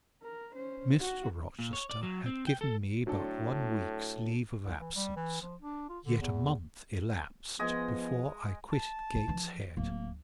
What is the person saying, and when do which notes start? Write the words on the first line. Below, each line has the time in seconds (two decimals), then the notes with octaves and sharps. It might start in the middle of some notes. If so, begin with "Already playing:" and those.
Mr. Rochester had given me but one week's leave of absence: yet a month elapsed before I quitted Gateshead.
0.23 A#4
0.54 C#4 C5
1.01 F#4
1.59 A#2
1.73 C#5
1.90 D5
2.03 F#3
2.26 C4
2.47 G5
2.61 A4
3.07 A2 F#3 D4 A4
4.65 C2
4.80 E3
4.96 G3
5.16 E3
5.42 F3
5.62 D4
5.89 F4
6.05 D3
6.21 E2
7.59 F3 G#3 B3 D#5 G#5
8.72 A5
9.15 D4
9.28 E3 F3
9.77 D1 A#3